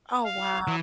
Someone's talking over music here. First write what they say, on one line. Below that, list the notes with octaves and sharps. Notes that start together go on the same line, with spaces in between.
Oh, wow.
F5
E3